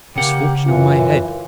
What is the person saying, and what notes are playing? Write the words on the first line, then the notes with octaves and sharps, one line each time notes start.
Misfortune on my head!
C#3 A#3 G4 F#5
F#2 E3 F4